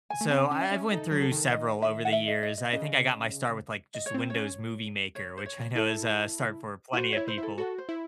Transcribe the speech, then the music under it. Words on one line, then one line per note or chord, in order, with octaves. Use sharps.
So, I I've went through several over the years, I think I got my start with, like, just Windows Movie Maker, which I know is a start for plenty of people,
G#5
A3
C4 G#5
C#4
E5
C#4
D#4 A4
F#3
A4
D#3
D#5
E5
F#5
E5
D#5
D#5
D#5
C#3 D#5
D#5
C#5
C4 C5
C#4 C#5
C#5
C5
C#5
E4 A4
E4
F#4 C5
E4 C#5
C5
E4 A4
F#4 A4
C5
E4